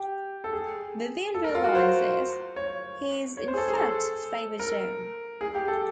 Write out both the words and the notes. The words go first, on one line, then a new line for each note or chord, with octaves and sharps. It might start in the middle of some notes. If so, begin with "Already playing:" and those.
Vivian realizes he is in fact Faber John.
Already playing: G4
A4
G#4
A4
A#4
F4
F#4
C5
C#5
C#5
C5
G#4
A4
G#4
A4
A#4
G#4
G4
A4